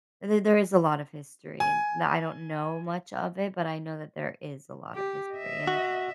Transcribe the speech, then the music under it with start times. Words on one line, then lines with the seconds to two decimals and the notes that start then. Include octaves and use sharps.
th there is a lot of history, and the I don't know much of it, but I know that there is a lot of history, and
1.60 G#5
4.94 G4
5.33 D#5 E5
5.67 F#4